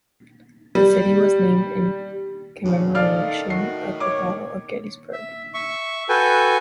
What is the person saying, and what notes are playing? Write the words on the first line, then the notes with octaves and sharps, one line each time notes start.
The city was named in commemoration of the Battle of Gettysburg.
G3
G2 C#3 C#4
A2 D#3 A4 D5 F5 F6
F#4 C7
C#5 D6
E5
E5 C#6
F#4 A4 B4 G5 G#5